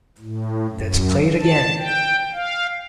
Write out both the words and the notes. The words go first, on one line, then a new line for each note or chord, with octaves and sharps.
Let's play it again!
A2
F#2
A5
G5
F5